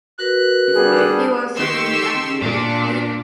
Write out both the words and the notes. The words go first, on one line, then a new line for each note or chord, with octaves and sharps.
He was suddenly afraid.
F#4 A#4 B4 F#6
G3 B3 D4 G#4
D#3 G4 C6 C#6 E6
A#2 D4